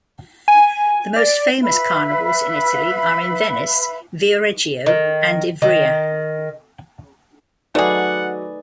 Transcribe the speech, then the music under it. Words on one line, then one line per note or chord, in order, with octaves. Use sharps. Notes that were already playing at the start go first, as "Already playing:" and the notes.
The most famous Carnivals in Italy are in Venice, Viareggio and Ivrea.
G#5
D5
B4 E5 F5 B5
D#3
D#3
F#3 A3 D#4 F#4 G#4 B4 D5 F#5